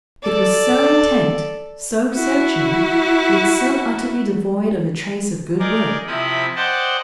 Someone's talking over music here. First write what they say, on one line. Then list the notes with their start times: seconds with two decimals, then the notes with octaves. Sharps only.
It was so intent, so searching, yet so utterly devoid of a trace of good will.
0.23 A4 D5
2.14 E4 F#4
5.59 D#4 G#4 A#4 D5
6.07 C3 F3 E4 D#5 B5
6.56 C5 D5 D#5 F#5 G5 A5